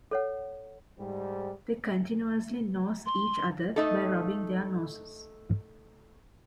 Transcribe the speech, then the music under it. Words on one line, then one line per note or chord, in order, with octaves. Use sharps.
They continuously nose each other by rubbing their noses.
A4 C#5 F#5
G#2 G3
C6
A3 D#4 A4